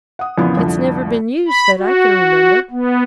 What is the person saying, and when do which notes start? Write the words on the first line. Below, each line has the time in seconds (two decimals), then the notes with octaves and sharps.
"It's never been used that I can remember."
0.19 F#5 D#6
0.38 A#1 F2 C#3 E3 B3 F4
0.57 C2 F2 D3
1.48 B5
1.77 F#4
2.71 B3